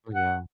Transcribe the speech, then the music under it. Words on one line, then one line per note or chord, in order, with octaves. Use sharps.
Oh, yeah.
F#5